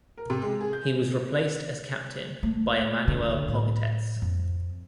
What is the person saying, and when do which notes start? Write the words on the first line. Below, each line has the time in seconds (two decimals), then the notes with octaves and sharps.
He was replaced as captain by Emanuel Pogatetz.
0.18 A#4
0.30 C3
0.42 G#3
0.61 G#4
0.73 G6
2.43 A3
3.08 D3
3.48 A2
4.22 F2